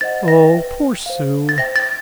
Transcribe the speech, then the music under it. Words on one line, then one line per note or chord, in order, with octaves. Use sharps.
"Oh, poor Sue!"
C5 D#5 F#5 A6
A#6
B4 E5 G5
C5 F5
A6
C5 E5 G5 A#6
A6